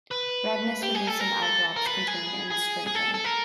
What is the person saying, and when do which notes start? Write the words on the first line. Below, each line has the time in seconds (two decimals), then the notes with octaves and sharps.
Redness-reducing eye drops contain an astringent.
0.11 B4
0.83 G4
0.95 G#4
1.07 A4
1.20 A#4
1.42 A4
1.76 A#4
1.86 B4
2.08 G#4
2.51 G#4
2.87 G#4
2.95 A4
3.14 A4
3.24 A#4